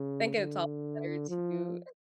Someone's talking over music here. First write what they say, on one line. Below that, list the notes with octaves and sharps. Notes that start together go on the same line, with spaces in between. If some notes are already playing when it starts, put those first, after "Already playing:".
I think it's all better to
Already playing: C#3
D3
F3